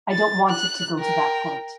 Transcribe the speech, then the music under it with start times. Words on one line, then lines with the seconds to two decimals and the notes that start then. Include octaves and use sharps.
I don’t want it to go to that point.
0.12 A6
0.49 F#6
0.99 A#4 G5